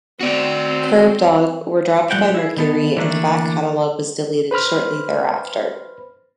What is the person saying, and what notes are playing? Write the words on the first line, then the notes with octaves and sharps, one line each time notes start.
Kerbdog were dropped by Mercury and their back catalog was deleted shortly thereafter.
C4 F#4 D5
A2 F3 G3 F#5 G5
E4 F#4 G#4
D#3 B3 A4
D3 E3 A3 A#3 D4
B4 C5 B5 F6